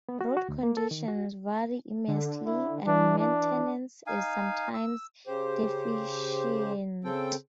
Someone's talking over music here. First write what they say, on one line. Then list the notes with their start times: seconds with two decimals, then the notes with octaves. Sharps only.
Road conditions vary immensely, and maintenance is sometimes deficient.
0.09 B3
0.21 F#4
0.37 F#4
0.48 D2
0.63 A#3
0.77 A4
0.91 D#3
1.08 F#4
2.08 D3
2.46 E4
2.87 E3 D4
3.19 D4
4.07 D#4 F5 G#5
4.74 E6
5.27 C#3 G4 C5
7.04 C#3 C4 A4 G5